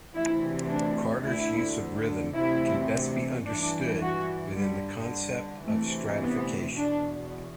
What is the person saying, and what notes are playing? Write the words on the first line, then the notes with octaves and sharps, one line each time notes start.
Carter's use of rhythm can best be understood within the concept of stratification.
D2 C3 E3 E4
D4
D2 D3 E4
D2 C3 E3 E4
G2 E3 D4
F#4
G2 D3 G3
D2 C3 E3 A3
B3
E2 B2 D4